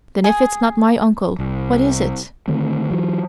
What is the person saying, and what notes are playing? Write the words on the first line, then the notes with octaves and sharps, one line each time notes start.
"Then if it's not my uncle, what is it?"
G#4
C2
D3 D#3 A3 C4
E3 F#3